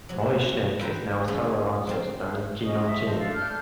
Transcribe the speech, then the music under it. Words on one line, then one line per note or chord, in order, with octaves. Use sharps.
Molly Schnick is now a solo artist known as Jean on Jean.
C3 F#3
A4 B4 C5 G5 A#5
D3 G#3 A3 C#4 F4 G#4
F#3 C4 F5
C#4 D#5 D#6
E5
C5 D5 D#5 A5
D4 A4 F5
D4 F6 G6